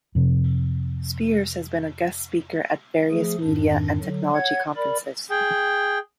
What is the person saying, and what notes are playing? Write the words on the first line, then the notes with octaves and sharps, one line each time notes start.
Spiers has been a guest speaker at various media and technology conferences.
F2 C3
F3 A3 G#4
F2 G#2 D#3 D4
D3 F#3
C#5 F#5 G#6
A#4 D5 B5
G#4 G5